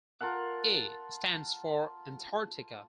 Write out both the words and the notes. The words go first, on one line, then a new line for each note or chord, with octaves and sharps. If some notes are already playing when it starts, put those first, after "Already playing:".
'A' stands for Antarctica.
F4 A4 A#4 F#5